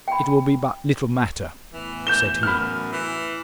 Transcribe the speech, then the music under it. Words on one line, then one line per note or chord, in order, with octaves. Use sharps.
'It will be but little matter,' said he.
G5 B5
E2 A2 E3
G6 E7 G7
F#2 B5 F6
E3